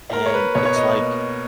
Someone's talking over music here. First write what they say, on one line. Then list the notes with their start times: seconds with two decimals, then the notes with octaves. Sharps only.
And it's like
0.13 A#3 A#4
0.26 C#5
0.34 B4
0.55 B2 C#5
0.65 C#5
0.76 D#5
0.97 A#3